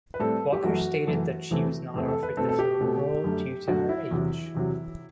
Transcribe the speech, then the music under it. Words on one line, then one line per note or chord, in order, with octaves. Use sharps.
Walker stated that she was not offered the film role due to her age.
B4
A2 G3 C4 A4
G4
F#2 E3 A3 F#4
F#2 E3 A3
E2 C3 E3 A3 C4
E2 C3 E3 A3 C4
A4
B4
B2 A3 C4 A4
A4
G4
B2 A3 C4
F#2 D3 A3
F#2 D3 A3 F#4
E4
E2 C3 F#3
E2 C3 F#3